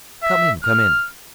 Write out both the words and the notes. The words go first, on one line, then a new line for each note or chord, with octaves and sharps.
Come in, come in.
E5
F6